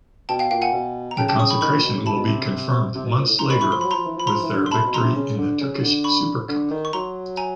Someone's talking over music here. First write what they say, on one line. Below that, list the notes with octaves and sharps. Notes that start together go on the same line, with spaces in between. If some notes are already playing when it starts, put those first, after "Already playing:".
The consecration will be confirmed months later with their victory in the Turkish Super Cup.
B2 G5 A5
F5 G5
A#2 F5 G5
F#5 G#5
B2
A#5
C#3 G5 A5
G5 A5
C3
C#3 C#6 D#6
B5 C#6
D#3 B5 C#6
A#2
B2
C#3
C3 A5 B5
B2
C3
C3
B2
A#2
A2
A2 A#5 C6
D#3 B5 C#6
E3 B5 C#6
F3 C6
F#3 B5
F3 A#5 C6
E3
F3
B5
F3 A#5 C6
E3
D3
C6
C3 A5 B5
B2
A#5 C6
C3
C#3
D3
C#3
D3
B5 C#6
D3
D#3
C#6
F#3 A#5 C6
G#5 A#5